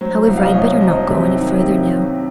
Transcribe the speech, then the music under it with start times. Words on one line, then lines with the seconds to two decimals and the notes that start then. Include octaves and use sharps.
However, I'd better not go any further now.
0.01 F#3 C5
0.27 C2
0.37 F5
0.46 D#5
0.53 C2 C#5
0.80 F#3 C5 D#5
1.07 C3
1.34 D#3
1.61 C3